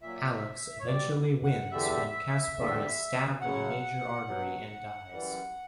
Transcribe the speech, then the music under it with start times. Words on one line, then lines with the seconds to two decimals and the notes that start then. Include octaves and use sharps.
Alex eventually wins when Kaspar is stabbed in a major artery and dies.
0.02 A#2 F#3 E5
0.80 C#5
0.87 B2 G3 D5
1.43 F#5
1.71 E2 D3 G3 E5
2.56 E2 D3 G3
3.41 F#2 C#3 F#3 F#5
4.27 B2 F#3
5.12 F#2 E3 G3